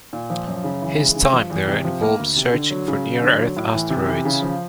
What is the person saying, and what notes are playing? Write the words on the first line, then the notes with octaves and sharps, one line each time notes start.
His time there involved searching for Near Earth Asteroids.
A#2
F3
F#2
C#3
E3
G#3
C#3
F3
E2
C3
F3
A#3
D2
C3
D3
F#3
C#3
F#3
D3
F#3
A2
E3
C3
E3
C#3
F3